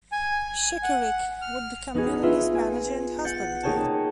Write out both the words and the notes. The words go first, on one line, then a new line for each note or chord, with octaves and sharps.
Schekeryk would become Melanie's manager and husband.
G#5
F#5
F6
B3 D#4 F#4 G#4
F4 B4 E5 F5
G#5
F#5 F#6 G6 A6 C#7
A#3 D#4 G#4 C#5 G5 A5